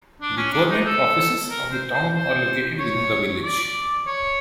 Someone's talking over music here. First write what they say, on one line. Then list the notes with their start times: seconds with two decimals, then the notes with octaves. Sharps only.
The government offices of the town are located within the village.
0.21 D4
0.37 C#4
0.53 D4
0.70 D#4
0.85 A4
1.49 A#4
1.72 C5
1.93 C5
2.14 C5
2.79 C#5
3.43 D5
4.07 C#5